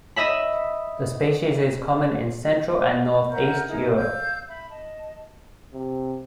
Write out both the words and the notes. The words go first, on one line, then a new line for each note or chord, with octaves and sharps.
The species is common in central and northeast Europe.
D#5 E5 B5
A#4 E5 F#5 G6
D#4 E4 G#4 A#4
F5 E6 G6
E5 B5
D#5 A5
C3